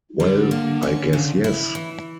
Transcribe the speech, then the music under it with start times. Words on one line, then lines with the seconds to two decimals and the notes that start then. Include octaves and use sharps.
Well, I guess yes!
0.20 D3 G3
0.51 A#3
0.83 C#4
1.13 C#3
1.44 E4
1.75 E3